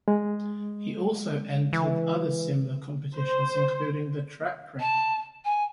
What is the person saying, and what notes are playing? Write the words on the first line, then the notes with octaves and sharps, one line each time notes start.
He also entered other similar competitions, including The Trackering.
G#3
E3
C5
A5
G#5